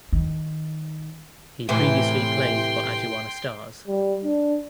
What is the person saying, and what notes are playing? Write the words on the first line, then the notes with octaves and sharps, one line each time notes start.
He previously played for Aduana Stars.
D#3
A2 C3 E3 G5 C6
G3
D4